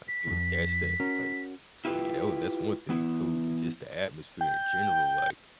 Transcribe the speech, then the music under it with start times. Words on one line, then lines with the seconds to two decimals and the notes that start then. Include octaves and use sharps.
like you would guess that, like, so yeah, that w that's one thing too, then just the atmosphere in general like.
0.08 B6
0.27 C2 F2
1.00 C#4 F#4 A#4
1.85 E4 F4 G4 B4
2.89 E3 B3 E4
4.41 G5